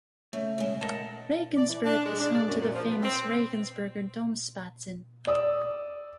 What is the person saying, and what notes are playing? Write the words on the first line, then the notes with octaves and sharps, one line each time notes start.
Regensburg is home to the famous Regensburger Domspatzen.
C#3 A3
C#3 G#3
A#4 D#5 F#5 A5
D5
E3
D4
G#3
D4
D5
F#2
A#2
F3
B3
C4
D5 D#6 E6